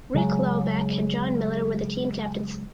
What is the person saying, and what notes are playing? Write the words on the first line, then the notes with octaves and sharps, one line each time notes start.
Rick Laubach and John Miller were the team captains.
C#3 F#3 G#3